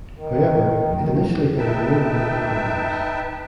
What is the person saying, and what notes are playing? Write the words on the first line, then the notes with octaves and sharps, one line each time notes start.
However, it initially aired no local programs.
D#3
F2 F3 A3
D#4 B4 E5 G5 A5